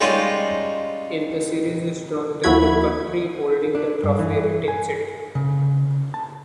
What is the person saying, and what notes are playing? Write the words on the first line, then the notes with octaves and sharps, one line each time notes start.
If the series is drawn, then the country holding the trophy retains it.
G3 G#3 C#4 D#4 F4
D#2 F3 E4 F#4 B5 G#6
D4
G2
E3
G#5
C#3
A5